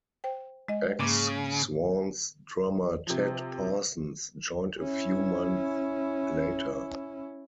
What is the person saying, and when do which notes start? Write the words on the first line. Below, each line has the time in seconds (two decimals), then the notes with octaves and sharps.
Ex-Swans drummer Ted Parsons joined a few months later.
0.24 C5 G5
0.68 G#3 D#5
1.00 G#2 C#3 A#3 D6
3.07 C3 F3
4.80 C#4 E4